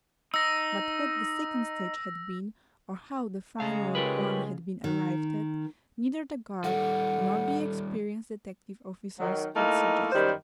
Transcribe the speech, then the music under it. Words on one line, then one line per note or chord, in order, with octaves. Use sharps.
But what the second stage had been, or how the final one had been arrived at, neither the guard nor the experienced detective officers could suggest.
D#4 E6 A#6
C#3 G#3 F5 A#5
C#4 F4 G4 A#4 B4
D#3
D#3 G3 A4 F#5
D#3 F#3
A3 A#3 D#4 E4
F#2 D#3 G3 C5